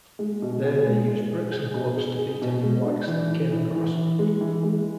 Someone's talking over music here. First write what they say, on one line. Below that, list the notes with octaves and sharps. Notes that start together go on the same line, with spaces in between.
There they used bricks and clubs to beat any blacks they came across.
G#3
B2
G#4
G#3
G#3
G#4
G#4
B2
G#4
G#4
B2
G#3
D4
E3
E3
E3
E3
E3
G#3
E3
G#3